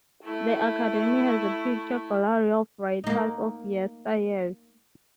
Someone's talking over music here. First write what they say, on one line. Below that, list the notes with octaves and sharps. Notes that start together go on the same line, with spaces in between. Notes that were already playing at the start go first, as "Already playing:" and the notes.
The Akademi has a picture gallery of writers of yester years.
A3 E4
A#3 D#4